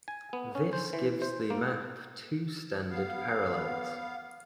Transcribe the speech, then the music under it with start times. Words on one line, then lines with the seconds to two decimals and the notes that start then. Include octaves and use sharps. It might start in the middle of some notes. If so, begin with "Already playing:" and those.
This gives the map two standard parallels.
0.08 G#5
0.33 B3
0.55 C#4
0.73 C5
0.93 E3
1.22 C5
1.50 A#3
2.91 B3 F5